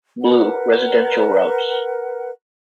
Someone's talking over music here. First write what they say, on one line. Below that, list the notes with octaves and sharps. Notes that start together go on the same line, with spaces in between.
Blue: Residential Routes.
A#4 B4 F#5